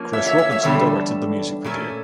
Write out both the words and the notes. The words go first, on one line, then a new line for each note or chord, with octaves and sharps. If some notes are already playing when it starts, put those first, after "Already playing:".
Chris Robinson directed the music video.
Already playing: F3 A#3 C#4
C#5 E5
C#5 E5
C#5 E5
C#5 E5
E2 D3 G3 D4 A4 C#5
A#2 A3 C#4